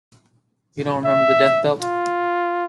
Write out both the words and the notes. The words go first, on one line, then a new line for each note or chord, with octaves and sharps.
You don't remember the Death Belt?
E5
F4